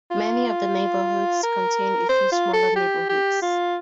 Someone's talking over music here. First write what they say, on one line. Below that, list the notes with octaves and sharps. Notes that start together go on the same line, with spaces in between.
Many of the neighborhoods contain a few smaller neighborhoods.
F4
A#4
C5
F4
A4
G4
G4
F4